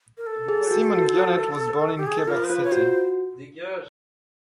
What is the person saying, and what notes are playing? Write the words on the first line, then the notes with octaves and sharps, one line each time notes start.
Simon Gionet was born in Quebec City.
A#4
A4
G#4
F#4
F#4
G4
G#4
A4
F4 A#4
C5
F4 B4
F4 C#5
F#4 C5